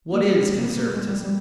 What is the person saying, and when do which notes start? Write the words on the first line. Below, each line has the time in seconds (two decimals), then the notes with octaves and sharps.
What is conservatism?
0.13 A#3
0.20 A3
0.35 G#3
0.50 G3
0.59 A#3
0.65 B3
0.79 A#3
0.94 G#3
1.09 G3
1.24 G3